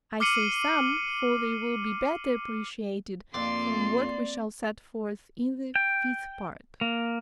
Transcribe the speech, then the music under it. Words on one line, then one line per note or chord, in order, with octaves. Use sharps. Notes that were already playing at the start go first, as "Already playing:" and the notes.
I say "some," for they will be better appreciated from what we shall set forth in the fifth part.
D6 F6 C7 C#7 D#7 F#7
F2 A#3 D5 C6
G5
A#3